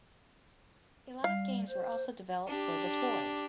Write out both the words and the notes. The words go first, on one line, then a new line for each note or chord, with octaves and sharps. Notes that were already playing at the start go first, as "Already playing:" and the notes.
A lot of games were also developed for the toy.
G3 F5
C5
D4 G4